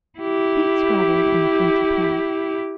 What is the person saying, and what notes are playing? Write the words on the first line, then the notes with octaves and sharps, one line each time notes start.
Feet scrabbled on the flinty path.
E4 G4